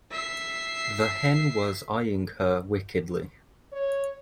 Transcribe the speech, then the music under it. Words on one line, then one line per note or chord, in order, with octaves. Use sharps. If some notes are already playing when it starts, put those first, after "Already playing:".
The hen was eyeing her wickedly.
E5 C7
C#5